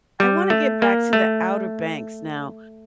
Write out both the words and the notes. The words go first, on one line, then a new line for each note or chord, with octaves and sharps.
I wanna get back to the Outer Banks now,
G3
A3
A#3
A3